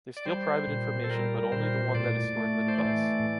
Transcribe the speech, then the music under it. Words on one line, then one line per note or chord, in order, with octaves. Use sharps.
They steal private information but only the one that is stored in the device.
D5
G3 C5
A#2
A4
G3 A#4
A#2 C5
A2 D5
A3
C5
E3 D5
A2